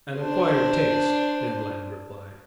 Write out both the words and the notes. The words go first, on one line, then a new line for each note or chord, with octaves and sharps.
"An acquired taste," Ned Land replied.
D4 C5